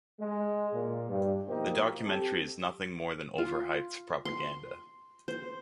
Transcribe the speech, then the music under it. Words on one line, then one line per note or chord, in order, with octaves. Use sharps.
The documentary is nothing more than overhyped propaganda.
G#3
A#2
G2
B2 F3 A#3 D#4 G4 C5
C4 G4 A4
F4
C6
C5